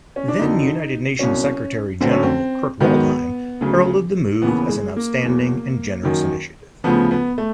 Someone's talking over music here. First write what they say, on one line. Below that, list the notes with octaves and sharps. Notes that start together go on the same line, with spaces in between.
Then-United Nations Secretary-General Kurt Waldheim heralded the move as an outstanding and generous initiative.
C#4
D4
F2 D3 F#3 D#4
C2 B2 F#3 C#4
D2 D3 F#3 C4
C#4
C4
G#2 D#3 F#3 B3
D2 C#3 F#3
D#2 C#3 E3 B3
G#3
A#3
E2 B2 F#3
F#2 D#3 F#3
D2 C#3 F3 B3
B3
A3